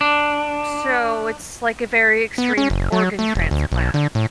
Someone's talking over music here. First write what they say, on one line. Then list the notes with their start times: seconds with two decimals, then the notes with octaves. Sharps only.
So, it's like a very extreme organ transplant.
0.01 D4
2.38 B3
2.57 C#4
2.70 F#1
2.92 F#3
3.19 A3
3.35 E1
3.51 D2
3.72 B1
3.94 D3
4.15 A2